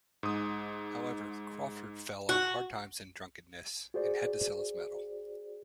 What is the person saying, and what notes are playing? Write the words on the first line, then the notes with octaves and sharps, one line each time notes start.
However, Crawford fell on hard times and drunkenness, and had to sell his medal.
G#2 D#6
F#4
F#4 G#4 C5 D5